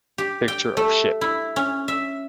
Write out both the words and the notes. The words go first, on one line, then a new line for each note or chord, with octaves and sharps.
Picture of ship.
G4
G5
A3
E4
C#4
E5